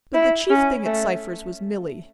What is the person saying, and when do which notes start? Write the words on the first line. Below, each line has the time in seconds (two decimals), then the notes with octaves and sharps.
But the chief thing at Cypher's was Milly.
0.14 E4
0.50 C#4
0.85 A3